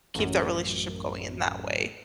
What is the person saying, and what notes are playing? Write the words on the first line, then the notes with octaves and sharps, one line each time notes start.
keep the relationship going in that way,
A1 F#2